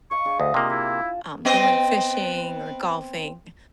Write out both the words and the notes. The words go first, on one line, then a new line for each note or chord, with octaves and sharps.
um, they went fishing or golfing.
D#5 F5 C#6
D4 G#4
D2 D#5
C3 A#3 D4 F4 G4
E4 G#4 A5
B3 C4 D#5